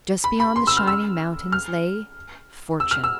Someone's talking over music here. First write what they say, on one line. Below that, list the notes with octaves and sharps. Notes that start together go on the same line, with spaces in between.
Just beyond the shining mountains lay--Fortune.
B5
B5
C6
E6
F6
E6
F6
E6
F6
E6